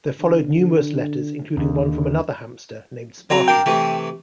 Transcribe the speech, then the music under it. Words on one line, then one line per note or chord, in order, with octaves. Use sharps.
There followed numerous letters, including one from another hamster named Sparky.
D3
D#2 D3
F#3 C4 A#5
D4 A#4 F5 G5
C3 E3 A3